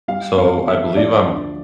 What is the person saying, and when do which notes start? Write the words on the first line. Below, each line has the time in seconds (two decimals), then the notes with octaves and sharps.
So I believe I'm
0.08 G3 F5
0.38 F2 F5
0.67 F2 E5
0.96 F3 D5
1.27 D2